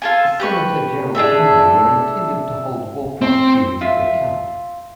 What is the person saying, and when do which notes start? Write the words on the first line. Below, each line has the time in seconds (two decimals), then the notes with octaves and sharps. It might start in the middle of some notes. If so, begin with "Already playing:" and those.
Senator Gerald Nye were intended to hold war profiteers to account.
0.02 F4 A4 G#5
0.40 G4 B4 C#6
1.15 D4 G#4 A4 E5
3.22 C4
3.81 F4 E5